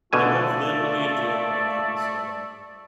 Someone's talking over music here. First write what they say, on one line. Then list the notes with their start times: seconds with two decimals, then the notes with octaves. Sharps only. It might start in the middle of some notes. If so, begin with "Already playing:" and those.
they're both literally in jail right now, so,
0.13 B2 D3 A3 F4 D5 G#5